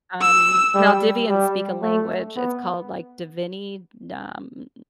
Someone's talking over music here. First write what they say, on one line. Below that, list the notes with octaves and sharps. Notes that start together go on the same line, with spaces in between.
Um, Maldivians speak a language, it's called, like, Dhivehi, d um
E6
G3
G3
A3
B3